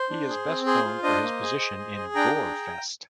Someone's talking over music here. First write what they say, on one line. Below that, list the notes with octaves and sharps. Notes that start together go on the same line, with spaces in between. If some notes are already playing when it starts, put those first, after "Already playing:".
He is best known for his position in Gorefest.
Already playing: C5
D4
G#4
C4
G#4 C5
F4
D4 C5 D#5
A#3
G#4
G#4
G#4
G#4
D4 G5 A#5
G#4